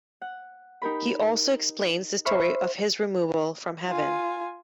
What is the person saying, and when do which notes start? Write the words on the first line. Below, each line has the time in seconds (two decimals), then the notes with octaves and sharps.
He also explains the story of his removal from heaven.
0.21 F#5
0.82 D#4 G4 A#4 B5
2.25 C5 E5 B5 C#6 F6
3.89 F4 G#5